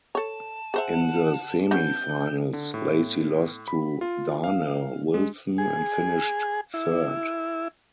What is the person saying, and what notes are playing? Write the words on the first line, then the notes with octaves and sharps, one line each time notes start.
In the semi-finals, Lacy lost to Darnell Wilson and finished third.
A4 C#5 A5
G#4 C5 E5 F#5
G3 B3 C#4 G6
D3
A2
B5
F4
F5
G#3
G#4
E4